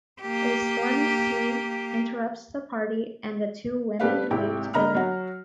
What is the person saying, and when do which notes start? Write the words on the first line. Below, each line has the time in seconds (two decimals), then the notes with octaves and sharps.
A stormy sea interrupts the party and the two women leave together.
0.22 A#3 G4
3.99 G3 A3 D4 G4 B4 F5
4.31 G#1 C3 E4 G4 G5
4.74 D3 A#3 D#5 A#5 B5 F6
4.95 F#3 F#4